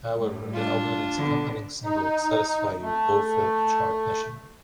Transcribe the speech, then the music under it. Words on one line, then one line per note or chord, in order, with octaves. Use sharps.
However, the album and its accompanying single "Satisfy You" both failed to chart nationally.
A2 G3 A3
D4 F4
D3 B3
D#4
A3